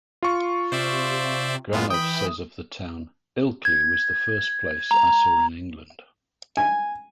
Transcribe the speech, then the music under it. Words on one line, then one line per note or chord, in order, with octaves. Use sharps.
Granov says of the town, Ilkley was the first place I saw in England.
F4 C#6
C3 C5 D5 E5
F#2 G#3 B3 F4
E3 G5 B5 D#6
G#6
A#5
G#5